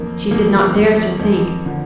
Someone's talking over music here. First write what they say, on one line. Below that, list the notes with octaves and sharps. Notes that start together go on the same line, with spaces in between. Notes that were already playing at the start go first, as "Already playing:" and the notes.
She did not dare to think.
Already playing: F2 D#3 A#3
F2 D#3 A#3
F2 D#3
F2 D#3
D3 F3